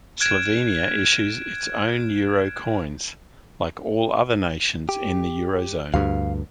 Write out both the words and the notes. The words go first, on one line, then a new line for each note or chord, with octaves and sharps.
Slovenia issues its own euro coins, like all other nations in the Eurozone.
F6 F#6 G#6 D7 E7
G4
D2 G2 F5